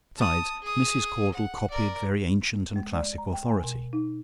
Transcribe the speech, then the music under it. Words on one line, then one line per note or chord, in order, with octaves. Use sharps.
Besides, Mrs. Caudle copied very ancient and classic authority.
A5 D#6
G#4 D#6
F#5
A#4 D5
G#3
D5
A#5
G5
G#5
B2
D#4